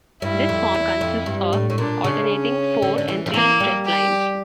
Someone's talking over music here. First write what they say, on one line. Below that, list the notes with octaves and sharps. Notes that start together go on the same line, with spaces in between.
This form consists of alternating four- and three-stress lines.
G2 E4
F2
E2
F2
G2
A2
A2
A#2 D4
C#3
C#4
D3
D3
E3
F3
E3 A#3
G3
G4